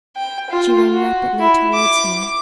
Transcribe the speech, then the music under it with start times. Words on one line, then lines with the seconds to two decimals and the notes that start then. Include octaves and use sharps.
She ran rapidly toward him.
0.16 G5
0.50 F4
0.91 F#4
1.40 E4
1.74 D6